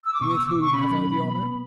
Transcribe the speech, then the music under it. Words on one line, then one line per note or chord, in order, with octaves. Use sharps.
"With whom have I the honour?"
E6
D6
B2 C#6
B2 E6
D6
B2
C#6
C#4 B5
F#3
B2
B3
B3